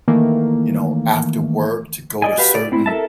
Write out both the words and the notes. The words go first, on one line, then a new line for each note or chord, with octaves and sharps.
you know, after work to go to certain
D#3 E3 A3 A#3
D5 D#5 G#5
F#4 G4 B4 F5
D5
C4 E4
A4 A#4 E5 A5